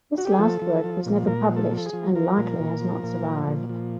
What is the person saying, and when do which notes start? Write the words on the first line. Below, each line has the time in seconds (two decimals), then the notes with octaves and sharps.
This last work was never published, and likely has not survived.
0.18 F#4
0.25 G4
0.32 G#4
0.39 F3 A4
0.62 F3
0.84 F3
1.06 A#2
1.27 A#2 A#4
1.49 F3
1.56 A4
1.71 F3
1.77 A4
1.86 G#4
1.93 F3
2.15 F3 A#4
2.37 A#2
2.59 A#2
2.81 F3
3.03 A#2
3.26 F3
3.47 A#2
3.69 F3